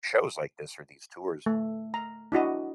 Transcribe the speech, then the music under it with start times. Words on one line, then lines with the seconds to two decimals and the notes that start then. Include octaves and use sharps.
shows like this or these tours."
1.46 A3
1.94 A#5
2.32 D4 E4 F#4 D#5